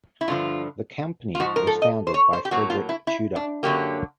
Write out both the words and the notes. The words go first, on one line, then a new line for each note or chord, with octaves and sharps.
The company was founded by Frederic Tudor.
E4
G2 D3 F3 F4
F4
G#2 F3 F#4
A#4
A4
D#5
C5
C#5
C5
G4
A2 F#3 A#3 F#4
F4
E4
E4
D4
F#2 D3 F#3 A#3 G4